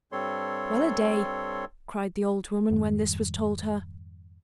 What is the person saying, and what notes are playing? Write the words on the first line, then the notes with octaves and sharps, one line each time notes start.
"Well-a-day," cried the old woman when this was told her.
G2 G3 C4 A4 C#5 C6
F2 G#2 D#3 G3